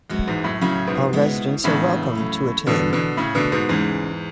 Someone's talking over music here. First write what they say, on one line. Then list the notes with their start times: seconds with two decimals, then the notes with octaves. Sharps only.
All residents are welcome to attend.
0.10 F#2 G#3 B3 F#4
0.28 E2 G#2
0.44 F#2 A2
0.61 A2 C#3 F#3 C#4 E4
0.87 G#2 B2
1.13 G#3 B3 E4
1.64 A2 C#3 E3 G#3 B3 D4
2.15 F#3 A3 C#4
2.66 B2 D3 E3 B3 E4 A4
2.93 B2 D3
3.17 A2 C#3 A3 E4 G#4
3.35 B2 D3
3.52 G#2 B2
3.69 E2 G#2 C#3 G#3 C#4 G#4 B4